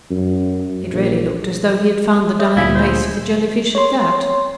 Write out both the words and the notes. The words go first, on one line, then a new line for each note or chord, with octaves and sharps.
It really looked as though he had found the Dying Place of the Jellyfish at that.
F#2
A#1
C#5 E5 D#6
D2 A#2 E4 F5 G#5
C5
C#5 C6